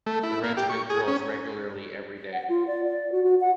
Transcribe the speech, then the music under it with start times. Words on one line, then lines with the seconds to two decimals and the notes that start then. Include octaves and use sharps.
The regiment drills regularly every day.
0.06 A3
0.23 E4
0.44 A#3
0.57 G4
0.70 C#6
0.90 G#4
1.08 C#4
2.33 F#5
2.49 F4
2.67 D5
2.84 D5
3.12 F#4
3.23 F#4
3.41 F#5